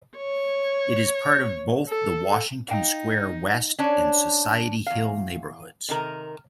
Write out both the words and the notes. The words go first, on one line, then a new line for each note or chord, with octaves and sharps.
It is part of both the Washington Square West and Society Hill neighborhoods.
C#5
A4
D#4 F5 G5
C#4 D4 C#5
E2 F5
C3 D#3 A#4